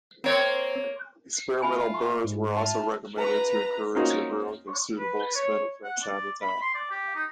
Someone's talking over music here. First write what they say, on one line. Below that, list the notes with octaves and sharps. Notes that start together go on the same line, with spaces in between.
Experimental burns were also recommended to encourage the growth of suitable spinifex habitat.
A#3 C4 C#5
A3 F4 G#5 B5
G#2
C4 F4 E5 A5
B4 A#5
A#3 C4 C#4 D#4 F4 F#4
B4
C#5
F#5
D5
B5
C6
D5
G4
D#4